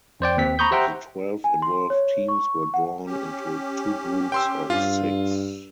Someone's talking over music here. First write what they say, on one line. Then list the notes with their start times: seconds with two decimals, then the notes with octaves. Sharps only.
The twelve involved teams were drawn into two groups of six.
0.20 F2 C5 D5 G5
0.37 D#2 C4 B6
0.59 A#5 B5 C#6 D#6 G6
0.71 G4 C5 E5 F#5 G5 A#5
1.44 G#5
1.62 C6
1.90 C#5
2.28 C#6
2.74 F#5
3.06 C#4 G4
4.32 G5 C6 E6
4.70 G2 F4